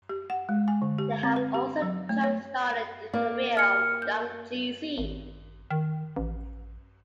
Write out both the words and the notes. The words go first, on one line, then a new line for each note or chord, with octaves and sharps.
They have also jump-started the career of Young Jeezy.
G4
F#5
G#3
G#5
D3
G4
C4
B4
G4
F#3
A3
C#5
A#3 D5
F6 C#7
G6
G#1
D#3
A1